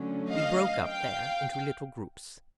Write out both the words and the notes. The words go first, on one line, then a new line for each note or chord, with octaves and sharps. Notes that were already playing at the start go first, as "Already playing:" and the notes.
We broke up there into little groups.
Already playing: D3 F#3 A3 C#4
D#5 F5
F5 G5